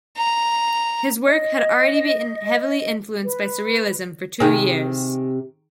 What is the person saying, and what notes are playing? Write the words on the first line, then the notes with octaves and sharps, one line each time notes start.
His work had already been heavily influenced by surrealism for two years.
A#5
D#5
B4
C3 D#3 G4 G#4